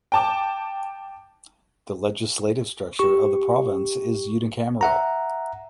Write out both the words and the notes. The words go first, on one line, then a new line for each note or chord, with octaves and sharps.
The legislative structure of the province is unicameral.
G5 A5 D6
G4 C#6
E5 F#5 A#5